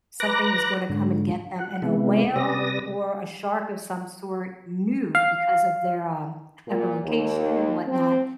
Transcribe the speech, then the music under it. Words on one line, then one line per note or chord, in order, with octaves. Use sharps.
Something was gonna come and get them, and a whale or a shark of some sort knew because of their, um, echolocation and whatnot,
B4 A#5 D6 F#6 A#6
G#2 D3
F#5
C3 G#3 B3 E4
C3 G3 B4 D5 D#6 A#6
F5
A#2
D#2
C4